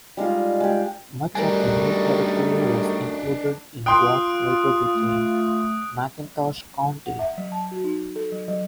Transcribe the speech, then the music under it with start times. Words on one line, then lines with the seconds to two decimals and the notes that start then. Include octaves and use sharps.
Much of their new territory was included in what later became McIntosh County.
0.17 G3 G#3 D#4 F4
0.60 G#3 G4
1.35 F#2 D#3 G3 A3 D4 D#4 A#4 G#5
3.86 F4 G5 C6 D#6 F#6 D7
4.95 A3
7.06 F#5
7.19 E5
7.38 F#3
7.52 A5
7.71 F#4
7.84 D#4
8.16 A4
8.32 F#3
8.48 F#3